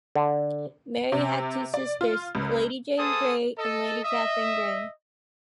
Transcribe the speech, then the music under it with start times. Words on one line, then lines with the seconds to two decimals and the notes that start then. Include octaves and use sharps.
Mary had two sisters, Lady Jane Grey and Lady Catherine Grey.
0.16 D3
1.12 C3
1.74 D5
2.01 F4
2.35 C#2
2.98 A#3 G#4 A4 C5 A5 D#6
3.58 A4 D#5
4.04 D#5 E5